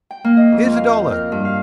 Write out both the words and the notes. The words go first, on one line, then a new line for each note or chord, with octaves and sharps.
Here's a dollar.
G5
A#3
D#5
F2
F3
F5
G6
A#4
G2
F5